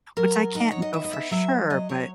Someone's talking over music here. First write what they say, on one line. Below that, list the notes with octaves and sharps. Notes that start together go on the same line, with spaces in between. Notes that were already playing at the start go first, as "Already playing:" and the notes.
which I can't know for sure, but
F#3 A#4
D#4 F#5
C#5
D#5
B3 E5
D#5
E5
F#3 E5
F#3 D#5
C#5